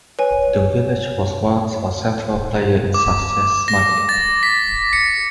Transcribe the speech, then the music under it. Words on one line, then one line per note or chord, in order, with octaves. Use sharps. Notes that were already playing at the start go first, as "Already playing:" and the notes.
The village was once a central player in Sussex smuggling.
B4 C#5 G#5
D6
A#6
A6
B6
C#7